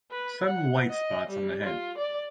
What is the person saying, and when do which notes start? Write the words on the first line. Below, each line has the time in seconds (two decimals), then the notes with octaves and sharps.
Some white spots on the head.
0.11 B4
0.46 F#5
0.90 D#5
1.29 G3
1.64 F4
1.98 D5